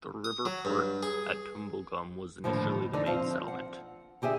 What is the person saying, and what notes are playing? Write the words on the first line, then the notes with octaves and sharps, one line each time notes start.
The river port at Tumbulgum was initially the main settlement.
D#6
F#3
G2
G#4
D#2 A2 D3 F3
D3 D4 D#4
F3 C4 F5
F#5
D3 G4 G#4 E5